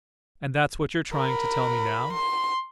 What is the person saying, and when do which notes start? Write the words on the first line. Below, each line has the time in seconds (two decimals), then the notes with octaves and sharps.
"And that's what you're trying to tell me now?"
1.14 A#4 B5
2.14 C6